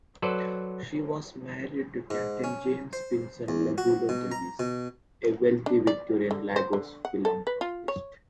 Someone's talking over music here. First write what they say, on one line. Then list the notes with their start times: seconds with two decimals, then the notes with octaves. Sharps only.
She was married to Captain James Pinson Labulo Davies, a wealthy Victorian Lagos philanthropist.
0.22 F#3 A4 B4 C5 D5
2.10 G#2
2.44 C#4
2.93 C5
3.48 E2
3.78 F#4
4.09 B2
4.32 A#5
4.59 B2
5.66 D4
5.87 D5
6.31 D3
6.56 C5
6.73 D3
7.05 F#5
7.25 A4
7.47 B4
7.61 F4
7.88 C#5